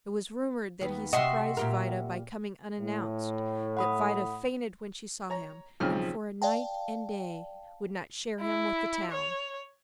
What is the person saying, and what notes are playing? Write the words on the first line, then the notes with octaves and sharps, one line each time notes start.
It was rumored that he surprised Vida by coming unannounced, that Vida fainted when she saw him, and for a night and day would not share him with the town.
D#2 B3
C3 F#4 D#5 E5 C6
A#2 G4 A#4
A2
F#5 B5 D#6
C#5 A#5
B1 C#3 F3 C4 F6
D5 F5 G5 A5
E4
C#5